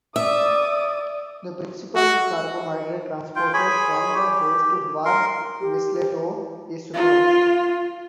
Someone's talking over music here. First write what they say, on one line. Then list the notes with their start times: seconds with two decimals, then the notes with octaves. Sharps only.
The principal carbohydrate transported from the host to dwarf mistletoe is sucrose.
0.16 D5 E5 D#6
1.95 F#4
3.36 F4 G5
3.53 G#4 C#5 G#5 B5
4.15 G4
5.05 A#4 C6
5.61 G4
6.94 F4